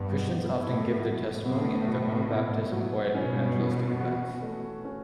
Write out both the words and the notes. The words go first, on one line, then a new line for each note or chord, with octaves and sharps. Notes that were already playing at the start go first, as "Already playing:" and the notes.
Christians often give their testimony at their own baptism or at evangelistic events.
Already playing: G2 B3
B2
A2 E4
F#3
A2 B3
B2
E4
F#3
B2 C#4
E3
F#4
A3
C#4